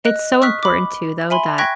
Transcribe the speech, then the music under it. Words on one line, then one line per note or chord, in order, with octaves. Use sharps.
it's so important too, though, that
D#5 F#6
C#6 D#6 F6 F#6 B6
B5 D6
E5 G#5 B5 C6
G5 C#6 F#6 G#6 A#6 B6